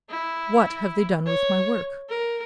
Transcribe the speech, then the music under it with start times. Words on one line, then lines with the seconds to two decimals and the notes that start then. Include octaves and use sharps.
What have they done with my work?
0.10 E4
1.27 C#5
2.09 A#4